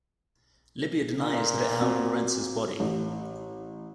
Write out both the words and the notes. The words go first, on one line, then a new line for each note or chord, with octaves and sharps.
Libya denies that it held Lorence's body.
A#2
C4 F#4
A1